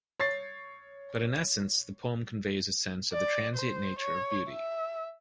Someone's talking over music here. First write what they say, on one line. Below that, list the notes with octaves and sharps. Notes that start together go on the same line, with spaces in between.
But in essence the poem conveys a sense of the transient nature of beauty.
C#5 A6 C7
D5
C5
C#5
E5